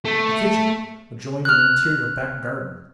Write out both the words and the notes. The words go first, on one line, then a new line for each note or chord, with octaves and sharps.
The kitchen adjoined an interior back-garden.
A3
F6 F#6